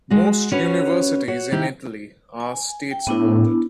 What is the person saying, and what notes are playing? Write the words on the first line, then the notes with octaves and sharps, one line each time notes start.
Most universities in Italy are state-supported.
G#3 F#4
C#4 F#4 B4 C#5
F#4 C#5
D#3 E4 G4 G5
G#5
G5
A2 B3 D4 E4